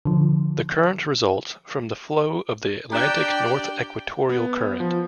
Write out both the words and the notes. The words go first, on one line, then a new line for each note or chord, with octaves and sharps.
The current results from the flow of the Atlantic North Equatorial Current.
D3 F3
D4 G4 D5 G5 A#5 F#6 E7
B3
F3